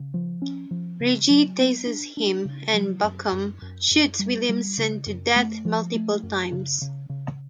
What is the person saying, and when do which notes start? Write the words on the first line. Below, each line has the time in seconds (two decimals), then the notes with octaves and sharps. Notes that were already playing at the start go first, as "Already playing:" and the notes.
Reggie tases him and Bucum shoots Williamson to death multiple times.
Already playing: C#3
0.14 F3
0.42 C#4
0.71 F3
1.00 C#3
1.30 F#3
1.59 B3
1.87 D4
2.17 D4
2.45 C#3
2.74 F#3
3.04 F#2
3.32 F#2
3.62 F#2
3.91 F#2
4.19 G3
4.49 G3
4.78 C#3
5.06 F#2
5.36 A3
5.65 F3
5.95 A3
6.23 F#2
6.52 C#3
6.81 C#3
7.09 C#3